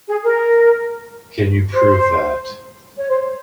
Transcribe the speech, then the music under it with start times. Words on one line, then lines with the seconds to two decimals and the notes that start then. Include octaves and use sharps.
Can you prove that?
0.08 G#4
0.24 A#4
1.74 C5
2.97 C#5
3.08 C5